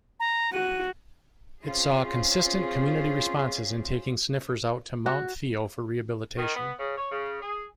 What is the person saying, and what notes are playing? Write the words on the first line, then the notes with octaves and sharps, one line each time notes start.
It saw consistent community responses in taking sniffers out to Mount Theo for rehabilitation.
A#5
F#4 D#7
C4 C#4 F4 G#4 C5
F#4
D#3
B3
C#3
C#5
C#3
G#4